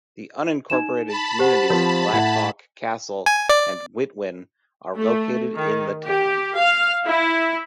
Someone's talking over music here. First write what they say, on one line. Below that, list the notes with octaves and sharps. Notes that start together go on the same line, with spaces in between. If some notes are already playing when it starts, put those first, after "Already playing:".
The unincorporated communities of Black Hawk, Cassell, and Witwen are located in the town.
D#4 E7
A5 B5
G4 C5 F#5
F3 C4
A2 F#5 G#6
G#5
D5
A3
D#3
G4
F5
E4